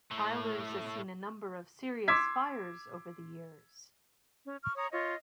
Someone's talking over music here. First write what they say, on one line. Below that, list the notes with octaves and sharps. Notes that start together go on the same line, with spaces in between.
Childers has seen a number of serious fires over the years.
A2 A3
C6 D6 E6 G#6 B6
C#4
C#6 F6
C#5 A#5 D#6
F4 C#5 D#5